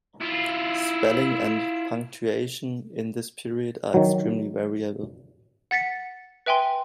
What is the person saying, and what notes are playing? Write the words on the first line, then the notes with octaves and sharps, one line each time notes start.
Spelling and punctuation in this period are extremely variable.
E4 F4
D#3 F#3
F#5 A6 B6 C#7
B4 E5 G5 G#5 C6